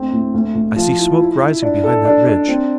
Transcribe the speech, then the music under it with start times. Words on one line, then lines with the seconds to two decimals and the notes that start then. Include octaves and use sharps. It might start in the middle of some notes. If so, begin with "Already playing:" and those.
"I see smoke rising behind that ridge."
Already playing: D2 C4
0.12 A2
0.34 D2
0.55 D2
0.76 F3
0.98 E4
1.20 E4
1.41 E4
1.62 D4
1.84 A4
2.05 D4
2.26 D4
2.48 C4